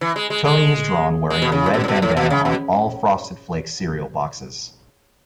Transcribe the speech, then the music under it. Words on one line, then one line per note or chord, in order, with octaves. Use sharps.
Tony is drawn wearing a red bandana on all Frosted Flakes cereal boxes.
E3
G#3
G#3
G#3
G#3
B2
C#3
A2
B2
A2
B2
A2
B2
C#3
B2